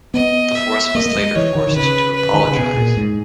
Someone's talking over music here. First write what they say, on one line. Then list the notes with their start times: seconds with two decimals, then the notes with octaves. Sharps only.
The force was later forced to apologise.
0.14 B3 D#5
0.55 E5
0.95 A#3 D#5
1.06 A#3
1.15 G#3
1.36 E3 C#5
1.55 D#3
1.67 D#3
1.76 C#3 B4
2.16 B4
2.33 D#3
2.45 C#3
2.56 B2 G#4
2.77 A#2
2.97 G#2